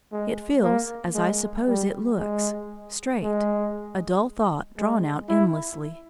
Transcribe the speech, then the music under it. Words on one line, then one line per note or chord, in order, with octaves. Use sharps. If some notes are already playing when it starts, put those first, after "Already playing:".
It feels, as I suppose it looks, straight--a dull thought drawn out endlessly.
G#3
A#3
G#3
G3
G#3
G#3
G#3
E4